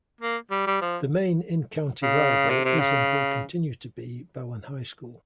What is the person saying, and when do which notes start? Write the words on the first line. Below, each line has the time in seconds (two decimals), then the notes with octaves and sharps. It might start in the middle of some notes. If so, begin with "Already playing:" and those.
The main in-county rival is and will continue to be Belen High School.
0.21 A#3
0.51 G3
0.67 G3
0.81 F3
2.03 C#3
2.50 C3
2.65 C3
2.80 C#3